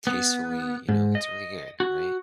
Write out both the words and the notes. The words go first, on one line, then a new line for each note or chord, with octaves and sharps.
tastefully you know, it's really good, right?
B3
G#2
D#5
F#4